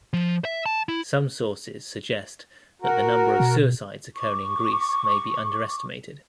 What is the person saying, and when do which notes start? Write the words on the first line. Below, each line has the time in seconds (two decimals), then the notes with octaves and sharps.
Some sources suggest that the number of suicides occurring in Greece may be underestimated.
0.13 F3
0.45 E5
0.66 A5
0.89 E4
2.82 F#4 A#4
3.40 B2
4.16 C#6 D6